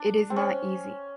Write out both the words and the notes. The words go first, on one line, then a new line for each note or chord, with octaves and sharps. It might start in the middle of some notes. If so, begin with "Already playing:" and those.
It is not easy.
Already playing: D4
C4
C#4